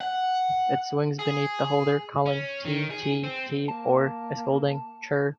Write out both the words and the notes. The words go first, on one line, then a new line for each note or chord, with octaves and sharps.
It swings beneath the holder, calling "tee, tee, tee" or a scolding "churr".
F#5
G#4
C#4
D#3
G#4
C4
A#3 A5